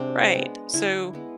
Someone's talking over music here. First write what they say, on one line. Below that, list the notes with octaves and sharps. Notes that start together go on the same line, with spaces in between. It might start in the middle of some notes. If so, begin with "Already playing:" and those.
Right, so
Already playing: C3 G#3 C4 D4
G#3 B3
D3 E4
G#3 B3